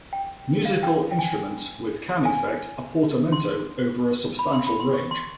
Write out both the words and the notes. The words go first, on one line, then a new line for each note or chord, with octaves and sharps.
Musical instruments with can effect a portamento over a substantial range.
G5
F5
G5
G5
G#5
G#5
C6
B5
C6
B5
C6
C#6
C6